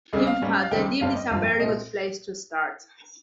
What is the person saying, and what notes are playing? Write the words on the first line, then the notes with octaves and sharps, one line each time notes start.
In fact, the Deep is a very good place to start.
C#2 C#3 G3 G#4
F5
G#2 G3 C#4
F5
C#2 C3 D#3 G3 C4 G5
G1 G2 G3 C4 F5
D#5
G#1 G2 F3 F5
G5
C2 A#2 G#3 C4 D#5